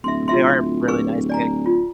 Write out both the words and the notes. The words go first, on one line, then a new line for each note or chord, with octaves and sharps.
but they are really nice kicks.
D1 E5 C6
F4 E5 C6
G#4 B4 C#6
D5 G#5 A#5
F4